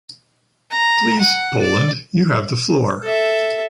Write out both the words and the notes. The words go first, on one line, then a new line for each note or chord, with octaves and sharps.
Please, Poland, you have the floor.
A#5
F#5
D5
A4 E5